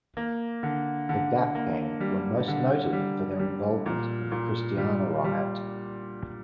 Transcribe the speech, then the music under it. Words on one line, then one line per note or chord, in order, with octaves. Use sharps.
The Gap Gang were most noted for their involvement in the Christiana Riot.
A#3
D3
D3
A#3
G3
D3
G3
G3
A#2
A#2
G3
G3